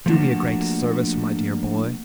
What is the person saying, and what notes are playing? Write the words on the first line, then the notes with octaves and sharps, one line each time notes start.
Do me a great service, my dear boy.
F3 A3 A#3 D4 F#4